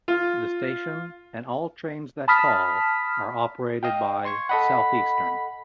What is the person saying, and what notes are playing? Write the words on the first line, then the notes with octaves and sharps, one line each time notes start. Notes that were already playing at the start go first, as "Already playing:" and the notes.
The station and all trains that call are operated by Southeastern.
F4
A5 B5 D#6 F6 B6
D#5 F5 G5
C6 C#6 G#6
A4 D#5 F#5 B5